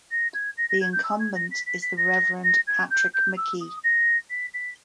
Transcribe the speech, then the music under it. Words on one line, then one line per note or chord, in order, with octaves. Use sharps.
The incumbent is The Reverend Patrick McKee.
A#6
G#6
A#6
A#6
G#6
G6
E6
G#6
A#6
B6
B6
B6
A#6
A#6
G#6
G6
G6
E6
D#6
A#6
B6
B6